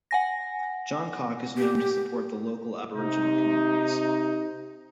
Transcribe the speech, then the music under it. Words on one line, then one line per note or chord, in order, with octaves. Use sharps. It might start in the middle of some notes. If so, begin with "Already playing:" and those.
Johncock is known to support the local Aboriginal communities.
F#5 G#5 A#6
G4
C3 D#4